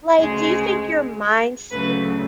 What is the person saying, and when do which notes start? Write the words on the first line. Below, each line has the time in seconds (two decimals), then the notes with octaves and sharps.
Like, do you think your minds
0.18 D2 C#3 G#3 G#4
1.71 D2 C#3 F#3 A3 B4